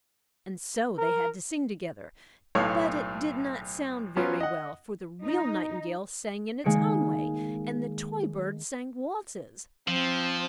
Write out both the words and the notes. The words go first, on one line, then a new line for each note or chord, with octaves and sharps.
And so they had to sing together; but it did not sound very well, for the real Nightingale sang in its own way, and the toy bird sang waltzes.
A#4
B1 A2 A4 C#5 F5
F3 F#3 B3 C#4 F4
D#5 F#5
D#4
D#3 G#3 A#3 C#7 D7
F3 C4